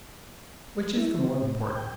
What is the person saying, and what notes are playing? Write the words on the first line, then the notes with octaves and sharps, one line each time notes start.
Which is the more important?
E4
C4
A2
G5